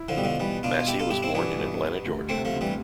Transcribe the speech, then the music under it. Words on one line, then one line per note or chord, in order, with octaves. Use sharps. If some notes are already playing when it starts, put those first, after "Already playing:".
Massey was born in Atlanta, Georgia.
Already playing: E4
D3 F3
B2 G3
D3 F3
E3 G3 B3
B2 D4 F4
F4
G3 E4 G4
F4 A4
G2 E4 G4
C4 E4
E3 B3 D4
G2
G3
D2
C3 A3 C4
F3 A3
D2
E3 G3